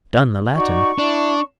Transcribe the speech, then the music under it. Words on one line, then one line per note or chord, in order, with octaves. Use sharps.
"Done the Latin!"
D#4 F#4 D5 C#6
D4 E4